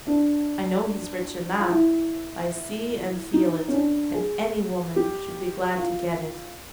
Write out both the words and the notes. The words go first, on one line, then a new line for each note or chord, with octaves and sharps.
I know he's rich in that; I see and feel it; and any woman should be glad to get it.'
D4
F4
E4
D#4
C#4
D4
G#4
G4
F4